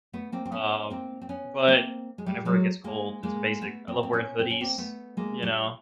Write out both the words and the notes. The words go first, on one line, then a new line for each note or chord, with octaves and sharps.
Um, but, whenever it gets cold, it's amazing. I love wearing hoodies, you know?
A3 B3
A#3 C4
C4
B3 C#4
A#3 C4
C4
B3 C#4
A#3 C4
G#3
G3 A3
F#3 G#3
G#3 A#3
G#3 A#3
A3 B3
A#3 C4
C4
B3 C#4
C4
C#4
A#3 C4
A3 B3
G#3 A#3
G3 A3